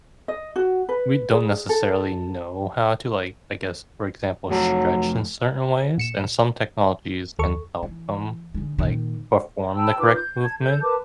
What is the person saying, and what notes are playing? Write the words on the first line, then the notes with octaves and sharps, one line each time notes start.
we don't necessarily know how to, like, I guess, for example, stretch in certain ways, and some technologies can help them, like, perform the correct movement.
D#5
F#4
B4
G#4
A4
F2 F#3 A3 A5
A#2 C#7 E7
D#2 A4 C#6
E3
D3 G#3
A#2 D#3
G5 A5 B5 E6
D#4 F4 B4 D6
G6
A5 G#6
A4 G6
A#4 B4 A5 D6